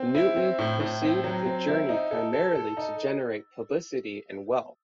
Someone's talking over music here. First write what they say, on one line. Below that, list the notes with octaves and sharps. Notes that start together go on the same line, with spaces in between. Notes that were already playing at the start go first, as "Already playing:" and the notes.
Newton pursued the journey primarily to generate publicity and wealth.
Already playing: C4
E4
C4
A2
A2
C4
F#3
C4
E4
D#4
A4
A4
A4
D#4